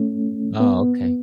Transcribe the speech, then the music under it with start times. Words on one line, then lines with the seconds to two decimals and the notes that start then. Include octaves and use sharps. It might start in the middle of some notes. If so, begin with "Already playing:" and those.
Oh, okay.
Already playing: A3 C#4
0.60 B3